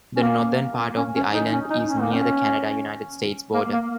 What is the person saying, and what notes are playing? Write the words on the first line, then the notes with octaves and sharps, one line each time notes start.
The northern part of the island is near the Canada-United States border.
C#4
A#3
A#3
C#4
C#4
D#4
C#4
D#4
C#4
A#3
C#4
A#3
A#3